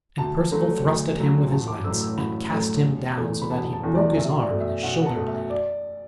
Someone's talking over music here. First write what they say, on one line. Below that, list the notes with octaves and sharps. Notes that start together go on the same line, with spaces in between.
And Perceval thrust at him with his lance, and cast him down so that he broke his arm and his shoulder-blade.
D2 A5
D3 F#3 A3
D2
D3 F#3 A3
A1 A5
D6
A2 F#3 A3 E6
E6
A1 B5
A2 F#3 A3
E1
E2 E3 A3
B5
E1 A5
A5
E2 E3 A3
D5
B1 E5
D5
B2 A3
E5
B1 F#5
F#5
A5
B2 A3
E5
D5